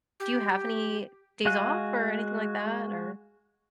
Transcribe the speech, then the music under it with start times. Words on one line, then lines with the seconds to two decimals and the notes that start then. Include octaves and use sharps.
do you have any days off or anything like that? Or
0.20 G4
1.45 G#3 F#4 F5 G#5 F#6